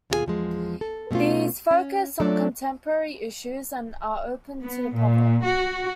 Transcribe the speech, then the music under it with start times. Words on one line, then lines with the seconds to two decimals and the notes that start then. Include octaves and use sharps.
These focus on contemporary issues and are open to the public.
0.10 D#2 B2 F4 F#4 G#4 G#5
0.26 E2 F3 G#3
0.81 A4
1.11 B2 A3 B3 C#4 F4
1.71 C#4
2.20 F#3 A3 D4 F4 A4 D5
4.61 B3
4.94 A#2
5.44 F#4